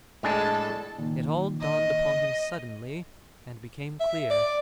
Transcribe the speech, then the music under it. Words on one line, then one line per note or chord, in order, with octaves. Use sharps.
It all dawned upon him suddenly and became clear.
A2 G#3 D4 A4
A#2 D#3
D#5
E5
D5